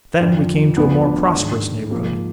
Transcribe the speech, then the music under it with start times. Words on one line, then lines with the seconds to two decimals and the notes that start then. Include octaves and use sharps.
Then we came to a more prosperous neighborhood.
0.20 F2 D3 F3
0.77 D2 D3 F3 B3
1.05 D4
1.35 G#2 D#3
1.91 G#2 F3 A#3